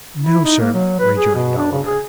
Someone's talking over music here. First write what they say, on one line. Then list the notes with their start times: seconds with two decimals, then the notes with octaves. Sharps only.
'No, sir,' rejoined Oliver.
0.22 E4
0.45 D#4
0.60 A#3
0.74 F#3
1.00 B4
1.16 G#4
1.35 B2
1.57 D4
1.72 C#3
1.85 G#4